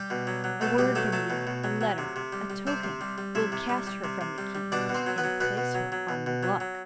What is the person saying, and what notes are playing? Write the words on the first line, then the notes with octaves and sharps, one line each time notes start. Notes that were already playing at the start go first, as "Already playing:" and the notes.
A word from you--a letter--a token--will cast her from the king, and place her on the block.
Already playing: G3 G4
B2
F#3
F#3
B2 A3 A4
B2 G3 G4
F#3 A3 A4
F#3 A3 A4
B2
B2
F#3
F#3
C3
C3
G3
G3
C3 C4 C5
C3
G3
G3
C3 E4 E5
C3
G3
G3
C3
C3
G3
G3
B2 D4 D5
B2
C4 C5
F#3
B3 B4
F#3
B2 B3 B4
B2
F#3
F#3
B2
B2
F#3
F#3